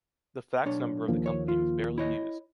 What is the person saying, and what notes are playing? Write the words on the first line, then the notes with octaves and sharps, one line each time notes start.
The fax number of the company was barely used.
B1 D4 C#5
D#2 F3 A#3
C#5
F4
E4 C#5 D#5